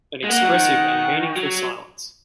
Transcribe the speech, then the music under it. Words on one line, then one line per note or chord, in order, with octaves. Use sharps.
An expressive and meaningful silence.
G#3
A#3 F#5
F#3
D#3
F#3